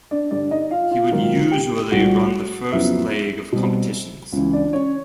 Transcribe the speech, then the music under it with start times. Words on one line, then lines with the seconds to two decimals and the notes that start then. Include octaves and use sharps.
He would usually run the first leg of competitions.
0.11 D4 D5
0.31 G2 D3 G3 D4 D5
0.51 D#4 D#5
0.71 F4 F5
0.91 F4 F5
1.11 G#2 D#3 F#3 A#3 F4 F5
1.51 G4 G5
1.91 C2 A#2 G3 F#4 F#5
2.72 F2 C#3 F#3 B3 E4 E5
3.52 B2 G3 C4
4.33 C#2 C#3 E3
4.53 D4 D5
4.73 C#4 C#5